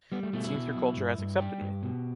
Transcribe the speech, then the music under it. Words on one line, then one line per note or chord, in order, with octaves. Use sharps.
It seems your culture has accepted me.
G3 B3
A3
B2 A3
E4
B2
B1
G2
G2
G3 G4
G2
B2